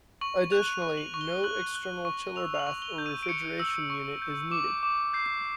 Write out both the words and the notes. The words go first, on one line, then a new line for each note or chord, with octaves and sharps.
Additionally, no external chiller bath or refrigeration unit is needed.
C#6 F#7
F#6 F7
F7
C#6
F#7
C#6
G7
F#6 F#7
F#6
C#6
E6 F7
F7
F#7
C#6
G7
G6
D#7
D7
C#6 C#7
E6
C#6
G6
D6
D6
G6 C7